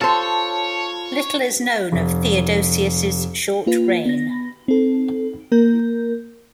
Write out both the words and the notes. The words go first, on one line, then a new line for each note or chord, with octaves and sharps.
Little is known of Theodosius' short reign.
F4 A4 C5 C#5 A5
F1
A#3 F4 B4
B3 A#6
C4 A4
A#3 A#4 G6